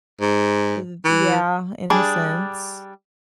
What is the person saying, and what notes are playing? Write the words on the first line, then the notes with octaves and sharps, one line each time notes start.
th yeah, in a sense.
G#2
E3
G3 D4 G#4